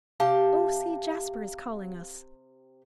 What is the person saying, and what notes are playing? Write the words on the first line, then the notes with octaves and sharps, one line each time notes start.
"Oh, see, Jasper is calling us."
C3 G4 F5 A5